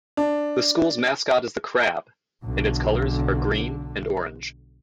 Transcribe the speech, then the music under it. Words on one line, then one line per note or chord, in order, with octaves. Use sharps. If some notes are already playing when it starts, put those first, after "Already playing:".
The school's mascot is the Crab, and its colors are Green and orange.
D4
B1 D3